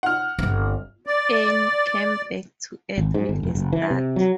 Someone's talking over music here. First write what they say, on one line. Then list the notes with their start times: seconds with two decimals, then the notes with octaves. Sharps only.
Anne came back to earth with a start.
0.03 F#5 F6
0.39 G1 C4
1.07 D5
2.98 G#1
3.14 G#2
3.29 G1
3.43 F1
3.55 F#1
3.73 E3
3.91 C3
4.16 F#3